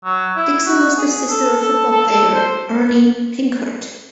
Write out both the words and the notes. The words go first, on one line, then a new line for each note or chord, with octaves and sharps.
Dixon was the sister of football player Erny Pinckert.
F#3
E4
F#4
G#4
A4
A4
A4
A4
C5